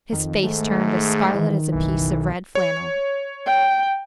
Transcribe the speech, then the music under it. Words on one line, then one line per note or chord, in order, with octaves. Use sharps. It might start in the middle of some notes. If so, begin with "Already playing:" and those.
His face turned as scarlet as a piece of red flannel.
F2 D#3
G#2 A3
G#4
D#3 E3
F#1 B1 E3
C#5
G5